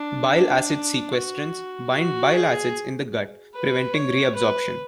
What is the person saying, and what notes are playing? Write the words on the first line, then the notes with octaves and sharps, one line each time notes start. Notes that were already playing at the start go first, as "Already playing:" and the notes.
Bile acid sequestrants bind bile acids in the gut, preventing reabsorption.
Already playing: D4
D4
F#4
F#4
G#4
B4
C#5
B4